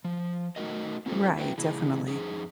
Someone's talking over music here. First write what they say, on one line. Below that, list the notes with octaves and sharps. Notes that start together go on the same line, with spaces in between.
Right, definitely,
F3
A3 D#4 F#4 A#4 D#5
C4 C#4 F4 G4 A4 C5
E4 F#4 B4 C#5 E5 G5
C#3 E3 E4 G#4
F2 D#4 G#4